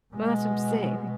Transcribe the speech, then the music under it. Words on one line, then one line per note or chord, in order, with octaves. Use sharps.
Well, that's what I'm saying and it
B2 G#3